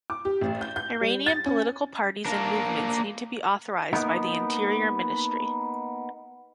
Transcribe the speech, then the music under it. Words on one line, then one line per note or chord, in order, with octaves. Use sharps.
Iranian political parties and movements need to be authorized by the Interior Ministry.
D6
G4
A1
G6
G6
G3
A6
C#4
A#3 D4
A#3 B3 D#4